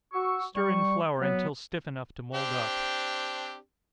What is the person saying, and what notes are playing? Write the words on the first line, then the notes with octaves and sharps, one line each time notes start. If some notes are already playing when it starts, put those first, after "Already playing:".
Stir in flour until stiff enough to mould up.
F#4 C#6 E6
G3 C#6
F#3 B3
C4 D4 G4